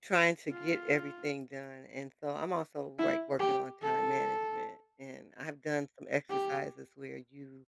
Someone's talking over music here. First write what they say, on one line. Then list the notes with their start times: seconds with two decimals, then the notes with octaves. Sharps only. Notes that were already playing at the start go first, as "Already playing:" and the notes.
trying to get everything done. And so I'm also, like, working on time management and I've done some exercises where you
0.51 F4
2.99 E4
3.39 G4
3.82 A4
6.29 G4